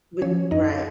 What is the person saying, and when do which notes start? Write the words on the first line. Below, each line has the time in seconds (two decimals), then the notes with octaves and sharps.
With right.
0.22 F3 C#4 C#5
0.51 F#2 D#4 D#5